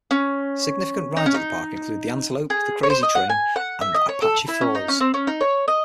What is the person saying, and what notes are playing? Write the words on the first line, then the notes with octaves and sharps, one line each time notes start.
Significant rides at the park include The Antelope, The Crazy Train and Apache Falls.
C#4
D#4
C#4
D#4
G#4
C#5
C5
D#5
F#5
G#5
F#5
E5
D#5
C#5
A4
E4
C#4
D#4
C#4
C4
C#4
D#4
C#5
D#5